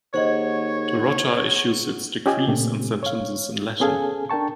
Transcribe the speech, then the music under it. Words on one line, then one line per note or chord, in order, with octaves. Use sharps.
The Rota issues its decrees and sentences in Latin.
D#2 G#4 C5 C#5 D#5 F#5
C#4 F4 G4 D#5 G#5
A#2 C#3 A3 C4 G4
C#5 F5
B3 C#4 G#4 A4 F5 G#5
D4 A#4 G5 A5 C#6